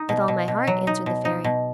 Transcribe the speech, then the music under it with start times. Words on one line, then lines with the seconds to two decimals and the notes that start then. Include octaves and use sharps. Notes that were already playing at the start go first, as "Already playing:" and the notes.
"With all my heart," answered the Fairy.
Already playing: D#4
0.09 B2
0.28 B2
0.48 B2
0.67 F#3
0.87 D#4
1.06 B2
1.25 D#4
1.44 B2